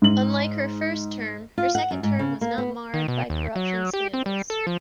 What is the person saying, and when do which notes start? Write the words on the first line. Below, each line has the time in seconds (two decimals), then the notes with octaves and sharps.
Unlike her first term, her second term was not marred by corruption scandals.
0.02 G#2 F#7
1.58 F4
1.75 F#5
1.91 F#2
2.03 G#2
2.19 C#3
2.41 A#3
2.58 B3
2.94 D#3
3.08 B2
3.30 D#2
3.56 F#3
3.94 G4
4.13 C4
4.26 G3
4.50 A4
4.67 F3